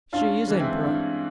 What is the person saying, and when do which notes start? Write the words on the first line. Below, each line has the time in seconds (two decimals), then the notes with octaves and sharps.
"She is emperor."
0.13 G2 C#4 F4
0.48 E3 G#3
0.60 C4 E4
0.84 G2